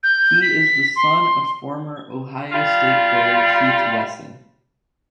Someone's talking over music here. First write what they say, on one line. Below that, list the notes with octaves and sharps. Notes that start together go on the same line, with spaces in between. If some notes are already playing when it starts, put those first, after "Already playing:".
He is the son of former Ohio State player Keith Wesson.
G6
B6
C6
G3 F4